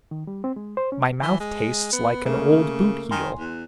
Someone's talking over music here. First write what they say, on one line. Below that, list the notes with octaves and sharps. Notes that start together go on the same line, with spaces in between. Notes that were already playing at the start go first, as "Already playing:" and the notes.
My mouth tastes like an old boot heel.
D#3
G3
C4
G#3
C5
C#4
E3
G#3
B3
C#3 A3 A#3
D#3 G#5 C6
E2